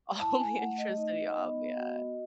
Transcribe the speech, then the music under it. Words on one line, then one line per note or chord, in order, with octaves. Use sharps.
all the electricity off, yeah.
E4 A5
G#5
A3 F#5
D#5
D#4 D#5
B3
F#4